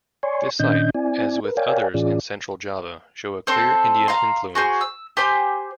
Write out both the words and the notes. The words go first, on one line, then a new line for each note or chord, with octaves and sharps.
This site, as with others in central Java, show a clear Indian influence.
C#5 D5 G#5 C6 C#6
A#2 D#3 C#4 D4 D#5 G6
C4 E4 D5 G#5
A#4 B4
A#4 C#5 D5 F5 G5 G#5
A2 E3 C#4 F4 G#4 D5
C4 A4 C5
F5 A#5 C6
F#4 G#4 C5 G#5
E6
G4 C5 G#5 C6